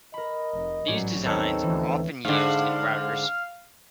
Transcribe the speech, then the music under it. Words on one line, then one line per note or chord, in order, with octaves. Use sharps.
These designs are often used in routers.
A#4 D#5 B5
F1
A1 G#2 F#3 G3 C#4
D#2 D#3 B3 C4 D#4 A4 C#5
D2 E3 F3
G#2 D3 F5